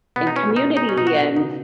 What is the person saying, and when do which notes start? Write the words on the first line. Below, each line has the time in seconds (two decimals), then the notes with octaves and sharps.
in community, and
0.16 B2 B3
0.27 D#4
0.36 B3 C#4
0.56 B2 D#4
0.76 D#4 G#4
0.89 C#4
0.96 B2 D#4
1.07 F#4
1.16 B2
1.36 C#3 D#4